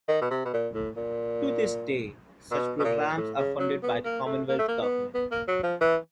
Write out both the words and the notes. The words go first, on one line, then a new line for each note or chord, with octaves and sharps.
To this day such programs are funded by the Commonwealth Government.
D#3
B2
C3
B2
A#2
A2
A#2
B2
B2
A#2
A2
C#3
F#3
B3
A#3
A3
A#3
A3
A#3
B3
B3
A#3
F#3
F3
E3